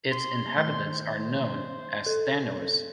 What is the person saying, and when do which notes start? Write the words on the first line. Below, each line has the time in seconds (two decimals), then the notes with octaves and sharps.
Its inhabitants are known as "Thannois".
0.12 C6
0.58 D#3 G6
1.04 C5
2.06 A4